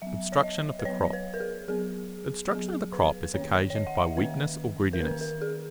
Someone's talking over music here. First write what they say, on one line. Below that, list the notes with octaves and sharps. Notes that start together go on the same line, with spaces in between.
OBSTRUCTION OF THE CROP.--Obstruction of the crop is occasioned by weakness or greediness.
F#3 B3 E5
C#5
D#5
B4
F#3 B3 C#5
B4
A#4
G#4
F#3 B3 G#4
F#3 B3 G#4
B4
B4
D#3 A#3 C#4 C#5
C#5
C#5
D#5
F#5
E5
D#3 A#3 C#4 B4
A#4
D#3 A#3 C#4 B4
A#4
G#4